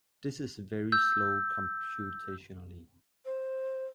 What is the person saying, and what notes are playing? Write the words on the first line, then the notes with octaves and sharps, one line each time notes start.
This is very slow computationally.
E6 G6
C5